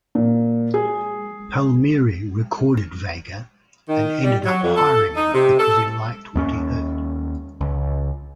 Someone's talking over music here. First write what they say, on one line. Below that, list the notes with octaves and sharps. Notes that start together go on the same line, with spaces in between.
Palmieri recorded Vega and ended up hiring him because he liked what he heard.
A#2
G#4
D#3
G3
F#3
F2
A4
D#4
C3
A4
D#2 B3 C#4
C#2